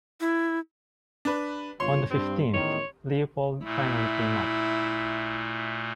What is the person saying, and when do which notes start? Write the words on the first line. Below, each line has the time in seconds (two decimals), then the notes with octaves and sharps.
On the fifteenth, Leopold finally came up.
0.21 E4
1.25 D4 B4
1.80 G1 F4 C#5 C6
2.11 G2 C4
2.54 A1 E2 D#3 C#5
3.64 A#2 A3 E4